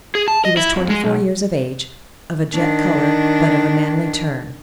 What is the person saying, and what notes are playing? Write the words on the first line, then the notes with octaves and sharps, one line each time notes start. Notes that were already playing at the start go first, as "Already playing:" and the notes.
He was twenty-four years of age, of a jet color, but of a manly turn.
G#4
A5
D#5
E4
F2
G#3
B1
D#3 D4